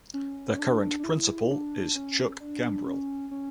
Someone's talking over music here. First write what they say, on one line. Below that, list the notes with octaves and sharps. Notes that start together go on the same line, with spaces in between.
The current principal is Chuck Gambrill.
C#4
C#4
D4
D4
E4
D4
C#4
D4
C#4
C#4